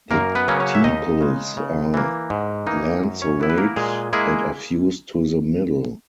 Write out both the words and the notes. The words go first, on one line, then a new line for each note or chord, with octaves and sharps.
The tepals are lanceolate and are fused to the middle.
F#2 A#3 A#4
B3 B4
C#3 F#3 A#3 C#4
C#4 C#5
E5
D#2 D#4 D#5
C#3 G#3
C#3
E3 A#3
G#2
E3 A#3 D#4
F#2
C#4 C#5
E3 B3 E4
B4
A#3 A#4
A#2 G#3 G#4
G#3 A#3 E4 G#4